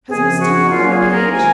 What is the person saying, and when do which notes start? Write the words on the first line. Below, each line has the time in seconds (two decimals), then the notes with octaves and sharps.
Has Miss Temple got a page?
0.09 F#2 C#3 F3 C4 G#4
0.39 F#4
0.70 A#2 F#3 A#3 F4
0.85 F#4
0.91 G#4
1.12 A#4
1.32 C3 D#3 G#3 C#4 G#5